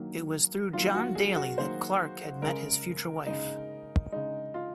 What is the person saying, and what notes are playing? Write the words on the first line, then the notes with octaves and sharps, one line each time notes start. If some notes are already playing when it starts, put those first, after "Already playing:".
It was through John Daly that Clarke had met his future wife.
Already playing: D#3 F#3 A#3
D#3 F#3 A#3 F4
F#4
G#4
F#4
D#3 F#3 A#3 C5
C#3 G#3 A#4
C#3 G#3 D#4
C#3 G#3 D#4
F4